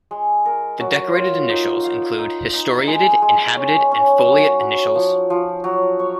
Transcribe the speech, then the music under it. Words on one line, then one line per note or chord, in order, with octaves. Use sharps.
The decorated initials include historiated, inhabited, and foliate initials.
G#3
A#4
F#3
F4
D#4
F5
D#4
D#4
G#3
G#3
C#4
C#4
F#3
F#3
F3
F3
F#3
C#5